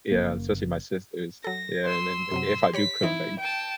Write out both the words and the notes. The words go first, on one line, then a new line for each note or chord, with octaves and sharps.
Yeah, especially my sisters. Yeah, and then if I do cook, like,
F#1 A#3
F#3 A4 A#6
C6 E6
F#2 C3 F#3
G4 C#5 B5 B6
E3 C4 D#4 E4
G5 A5